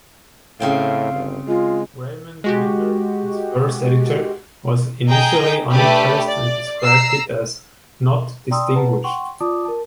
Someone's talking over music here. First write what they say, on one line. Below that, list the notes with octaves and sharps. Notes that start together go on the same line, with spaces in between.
Raymond Weaver, its first editor, was initially unimpressed and described it as "not distinguished".
A2 C#3 C4 F5 G5
G1
G#3 F4
G#3 F#4 G4
G#4 D#5 G5 A#5 G6
A3 D4 G4 B4 B5
D5
A#5 E6 C7
D5 G5 A#5 C6 D#6 E6
G#4 B4 F#5 A5 A#5
F#5 G5 C6 C#6
F4 D5 A5 D6 D#6
A#4 A5